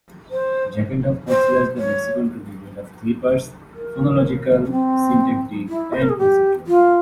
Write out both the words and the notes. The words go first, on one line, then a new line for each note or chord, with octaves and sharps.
Jackendoff considers the lexicon to be made of three parts: phonological, syntactic, and conceptual.
C5
C5
C#5
A#4
C#4
C4
E4
C5
A#4
G#4
G4
F4